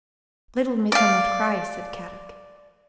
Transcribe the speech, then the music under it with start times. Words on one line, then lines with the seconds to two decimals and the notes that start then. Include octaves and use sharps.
"Little Missa not cry," said Kadok.
0.92 D5 F5